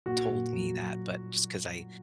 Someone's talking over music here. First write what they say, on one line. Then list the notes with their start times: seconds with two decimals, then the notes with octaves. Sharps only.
told me that, but just 'cause I
0.06 A#2 F#4
0.30 A#2
0.53 F#3
0.77 F#3